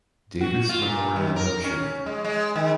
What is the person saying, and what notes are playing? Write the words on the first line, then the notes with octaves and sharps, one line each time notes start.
Davis Memorial Lecture.
F#4
F4
A#2
D#2
A#4
C#4
G#3
G#3
D#3